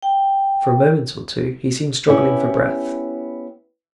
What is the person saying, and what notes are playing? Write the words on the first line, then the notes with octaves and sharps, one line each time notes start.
For a moment or two he seemed struggling for breath.
G5
B3 C#4 E4 G4